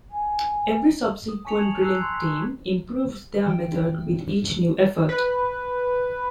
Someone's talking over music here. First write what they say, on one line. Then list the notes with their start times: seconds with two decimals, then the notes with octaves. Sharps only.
Every subsequent drilling team improves their method with each new effort.
0.11 G#5
1.29 D#6
1.45 G#5 A5 C#6 B6 C#7 F7
1.59 G#6 E7 F#7
1.82 A#5 E6 F#6 C7
2.00 C6 G#6
2.14 B6
3.46 E3 G5
5.09 B4